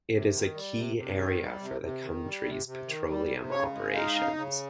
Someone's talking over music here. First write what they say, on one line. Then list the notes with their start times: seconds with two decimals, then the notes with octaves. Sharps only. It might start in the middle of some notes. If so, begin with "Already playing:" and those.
It is a key area for the country's petroleum operations.
0.12 C3
0.33 D#3
0.54 G3
0.76 C3
0.97 C3
1.17 D#3
1.39 G3
1.60 C3
1.81 C3
2.02 D#3
2.24 G3
2.45 C3
2.66 C3
2.87 D#3
3.09 G3
3.30 C3
3.51 C#3 C#5
3.73 G#3
3.94 D#4 F5
4.15 C#3
4.36 C#3